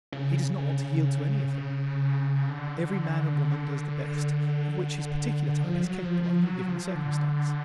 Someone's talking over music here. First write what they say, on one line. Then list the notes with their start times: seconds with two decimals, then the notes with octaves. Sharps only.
He does not want to yield to any of them. Every man and woman does the best of which his particular type is capable under a given circumstance.
0.12 C#3
2.49 D3
5.64 F3
5.83 F#3
6.03 F3
6.23 F3
6.43 F#3
6.69 F3
6.95 D3